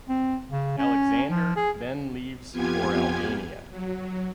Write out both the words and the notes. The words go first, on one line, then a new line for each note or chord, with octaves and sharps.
Aleksander then leaves for Albania.
C4
C#3
C#4
F3
G#4
F2 B3 F4 G4 G#5 G#6
F#3